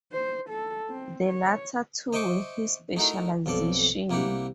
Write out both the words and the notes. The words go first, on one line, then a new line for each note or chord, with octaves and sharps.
The latter two were his specialization.
C5
A4
C4
C#5
C5 D#5 E5 G5 C#6 D6
A3 D#4 E4 F#4 A#4
B1 F2 A4 D5
C2 A#3 E4 G4 F#5